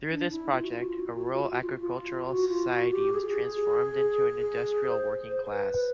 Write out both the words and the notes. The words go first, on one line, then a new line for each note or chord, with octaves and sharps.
Through this project, a rural agricultural society was transformed into an industrial working class.
D4
E4
F4
F#4
F4
F#4
F4
F#4
F4
F#4
F4
F#4
F4
F#4
F4
F#4
F4
F#4
F4
F#4
G4
G#4
G4
G#4
C5
C5
C5
B4
B4